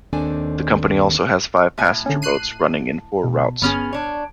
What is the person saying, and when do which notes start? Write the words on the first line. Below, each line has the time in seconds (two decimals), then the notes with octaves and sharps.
The company also has five passenger boats running in four routes.
0.13 D#2 D#3 C4 D4 A4 G#5
1.78 A2 E5 G#5
2.06 D3 C#4
2.22 F#6 C7 D#7
3.24 B2
3.62 G1 B3 C#4 G#4 F6
3.93 D4 C#5